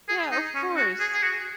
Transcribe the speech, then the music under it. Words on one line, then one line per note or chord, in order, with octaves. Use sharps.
Yeah, of course,
G#4
D#4
C#4
F#4
G#4
G#4
F#4